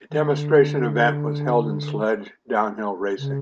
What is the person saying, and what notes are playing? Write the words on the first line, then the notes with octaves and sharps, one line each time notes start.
A demonstration event was held in sledge downhill racing.
D#3
D3
C#3